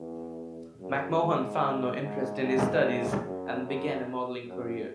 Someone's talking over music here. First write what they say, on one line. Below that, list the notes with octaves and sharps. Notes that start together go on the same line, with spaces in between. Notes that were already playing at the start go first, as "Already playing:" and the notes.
McMahon found no interest in his studies, and began a modelling career.
Already playing: E2
F#2
G#2
G#2
G#2
F#2
F#2
F#2